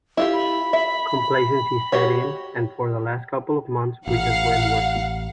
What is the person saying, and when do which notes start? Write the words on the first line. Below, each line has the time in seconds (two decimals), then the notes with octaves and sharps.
Complacency set in, and for the last couple of months we just weren't working.
0.17 E4 F4 G4
0.33 B5
0.73 E5
1.92 F#4 G4 C#5
4.08 A1 F5 F#5